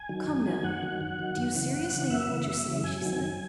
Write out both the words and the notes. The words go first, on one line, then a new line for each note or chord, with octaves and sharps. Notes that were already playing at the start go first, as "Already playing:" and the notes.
"Come, now, do you seriously mean what you say?" she said.
Already playing: G#5
D#3 F#3
F#2
D#3 F#3
F#2 F#5
D#3 F#3
F#2
D#3 F#3
F#2
C#3 E3
F#2
C#3 E3
F#2 E5
C#3 E3
F#2
C#3 E3
F#2 G#5
D#3 F#3
F#2